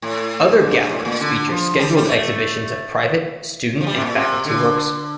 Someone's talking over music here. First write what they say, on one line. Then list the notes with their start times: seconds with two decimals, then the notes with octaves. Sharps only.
Other galleries feature scheduled exhibitions of private, student, and faculty works.
0.02 A2
0.61 G2
0.91 A2
1.05 A#2
1.20 D3
1.50 F3
1.79 G3
1.97 G3
2.08 A3
3.81 F3
3.87 G3
3.95 C3
4.01 A#2
4.15 C3
4.45 D3